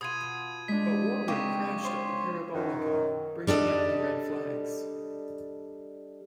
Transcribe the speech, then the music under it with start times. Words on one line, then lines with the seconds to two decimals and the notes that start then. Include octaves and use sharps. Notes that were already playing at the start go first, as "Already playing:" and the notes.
But Warwick crashed at the Parabolica, bringing out the red flags.
0.01 B2 F4 D#6 G#6 D#7
0.68 G#3 D4 B6
1.28 C#3 C4 G5 A#5 C#6 D6
1.83 F4 C5 C#5
2.54 F#2 D#3
3.47 G3 D4 A4 D#5